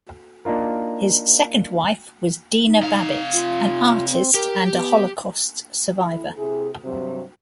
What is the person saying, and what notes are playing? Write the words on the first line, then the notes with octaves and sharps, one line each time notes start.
His second wife was Dina Babbitt, an artist and a Holocaust survivor.
A#3 D4 D#4 F4 A#4
D#4
C3 F5
F4
C4
G4 A#4
B3
E4
C3 E4 G#4
G2 C3 F#3 F#4 C5